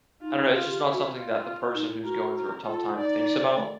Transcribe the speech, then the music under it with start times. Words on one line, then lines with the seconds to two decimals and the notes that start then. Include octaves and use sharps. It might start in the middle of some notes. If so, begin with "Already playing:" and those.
I don't know, it's just not something that the person who's going through a tough time thinks about,
0.21 D#4 F4
0.51 F4 G#4
0.67 G4
0.82 E4
0.92 F#4
1.13 F4
1.74 D#4
1.89 E4
2.04 F#4 A#4
2.35 A#4
2.65 F4 A4
2.96 D#4 D5
3.56 A3